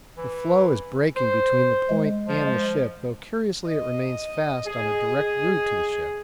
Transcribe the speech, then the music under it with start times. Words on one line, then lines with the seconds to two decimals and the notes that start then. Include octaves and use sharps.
The floe is breaking between the point and the ship, though curiously it remains fast on a direct route to the ship.
0.17 E3
1.16 C5
1.90 G#3
2.28 F3
3.68 D#5
4.67 G#4